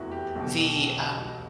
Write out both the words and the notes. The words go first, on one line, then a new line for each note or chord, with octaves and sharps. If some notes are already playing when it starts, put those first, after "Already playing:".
the, um,
Already playing: F1 E2 E3 E4 F#4
G4
B1 B2